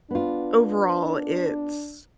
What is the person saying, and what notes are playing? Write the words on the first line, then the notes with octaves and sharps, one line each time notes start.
overall, it's
B3 D4 F4